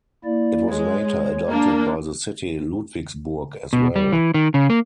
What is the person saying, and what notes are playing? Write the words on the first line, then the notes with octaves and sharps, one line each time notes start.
It was later adopted by the city Ludwigsburg as well.
A#3 E4 D5
G#3 C#5
A#3 D4
B2
G3
E3
D#3
C#3
A#3